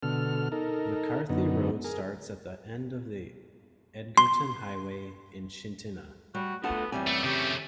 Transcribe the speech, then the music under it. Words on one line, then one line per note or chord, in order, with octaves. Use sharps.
McCarthy Road starts at the end of the Edgerton Highway in Chitina.
B2 D3 A4 F6
D#4 A4 A#4
F#2 D3 B3 D#4
G#4 A#4
C6
G3 F#4
D3 A3 B3 F4 A4 F#5
F#2 C3 E3 G3 G#5
A3
C#3 A3 G4